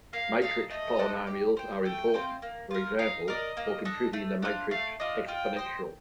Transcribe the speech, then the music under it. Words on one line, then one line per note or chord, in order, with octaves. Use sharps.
Matrix polynomials are important for example for computing the Matrix Exponential.
A#3 F5
D#4 A4 F5
A3 D#5
D4 A4 C5
G4
C5 G5
A3 G5
C4 F4 C5
A#3
F4 A#4
D#4 F5
A#4 D5 D#5
A#3
D4 A4 D#5
A3
D4 F4
A3 F5
D4 F4 D#5
F4 G5
C5 D#5